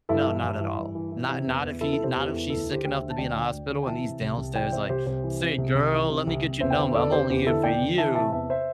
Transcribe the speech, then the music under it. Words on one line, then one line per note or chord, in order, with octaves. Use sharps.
No, not at all, not not if he not if she's sick enough to be in a hospital, and he's downstairs like, "Say, girl, let me get your number, I'm only here for you."
G2 E4 A4
E3 E4
G2
E3
G2
E3
E3
C3
E2
E2
E3 E4 A4
C3 A4
G4 C5
E2 G4
E4 A4
E2
D2 E4 A4
D3
G4 C5
D2 G5
C5 E5
D3
A5
D2 D5 G5
D3
D2
D3
G5
E3 E5 A5
C3
C2
C2
E3 D5 G5
C3 C5 E5
C2 G4 C5
C2 G4 C5
E3
C3
C2
C2
E3
C3
C2
C2
E2 C5 E5
G5
D3 C5 E5
E2 A4 D5
D3 G4 C5
E2 G4 C5
D3 E4 A4
E2 D5 G5
D3
E3 E5 A5
C3 E5 A5
E2 E5 A5
C5 E5